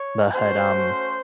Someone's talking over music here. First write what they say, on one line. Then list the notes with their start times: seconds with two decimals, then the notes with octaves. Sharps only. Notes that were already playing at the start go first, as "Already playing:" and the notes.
but, um,
Already playing: C#5
0.35 A3 C#4 F#4 C5